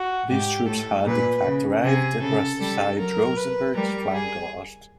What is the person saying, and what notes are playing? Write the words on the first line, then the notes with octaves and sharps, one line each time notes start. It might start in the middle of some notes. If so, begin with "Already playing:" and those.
These troops had, in fact, arrived and brushed aside Rosenberg's flank guard.
Already playing: F#4
G#2 G4
A2 A4
A#2 B4
C#3
C3 G#4
C#3 A4
G3 A4
F#3 A#4
B4
G3 A#4
G#4